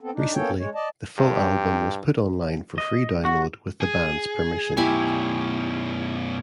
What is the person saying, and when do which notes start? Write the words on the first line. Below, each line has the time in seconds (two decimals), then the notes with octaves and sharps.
Recently, the full album was put online for free download with the band's permission.
0.01 B3 C4 A4
0.14 D4 D#4
0.34 A#3 B3 C#4 A4 C#5 G5
0.59 G#3 C#5
0.75 D5 D#5 A5
1.18 G2 G4
2.78 D#5
3.25 F#4
3.81 G#4
4.77 F#2 B2 E4 G4 G#5